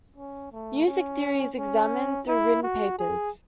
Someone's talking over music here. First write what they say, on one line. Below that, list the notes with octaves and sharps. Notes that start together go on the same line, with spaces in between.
Music Theory is examined through written papers.
C#4
A3
C#4
C#4
E4
F#4
G#4